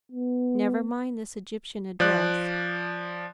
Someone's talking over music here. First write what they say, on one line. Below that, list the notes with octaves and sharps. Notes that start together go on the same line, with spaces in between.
Never mind this Egyptian address.
B3
F3 D5 F#6